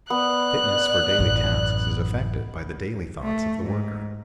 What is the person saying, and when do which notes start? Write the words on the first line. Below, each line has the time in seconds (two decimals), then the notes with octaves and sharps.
Fitness for daily tasks is affected by the daily thoughts of the worker.
0.10 B3 D5 F#6
1.19 A1 F#2
3.23 A3
3.63 G#2